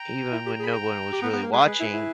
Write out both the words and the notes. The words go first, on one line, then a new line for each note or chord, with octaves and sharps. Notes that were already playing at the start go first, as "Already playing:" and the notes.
even when no one was really watching,
Already playing: G5 A#5
E4
G4
G#4 B5
G5 A#5
G4
B3
B3
A#3
G#3 G#4 B4
G#3
E4
E4